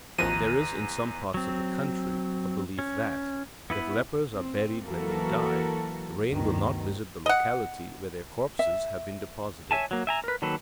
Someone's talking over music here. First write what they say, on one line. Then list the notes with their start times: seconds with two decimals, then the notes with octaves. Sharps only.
There is, in some parts of the country, a belief that, if lepers are buried when they die, rain will not visit the locality where their corpses have been deposited.
0.18 A1 E2 D#3 F3 A#5 F#6 A#6 D#7
1.34 F#3 C4
2.79 C#4
3.70 B3 E4 B4
4.33 C4
4.86 E3 F#3 A#3 F#4 A4 A#4
6.30 D2 G2 B2 D#3
7.26 D#5 F#5
8.59 E5
9.71 C#5 E5 G#5 A5
9.91 F#3 A#3
10.07 E5 G#5 A#5
10.24 A#4 B4
10.42 D#3 F#3 A#3 A4 B4